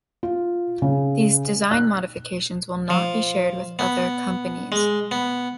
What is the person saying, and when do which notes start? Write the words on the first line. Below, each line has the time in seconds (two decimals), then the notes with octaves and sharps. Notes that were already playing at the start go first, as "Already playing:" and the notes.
These design modifications will not be shared with other companies.
0.23 F4
0.82 C#3
1.71 F#6
2.90 F3
3.79 B3
4.72 G#3
5.11 B3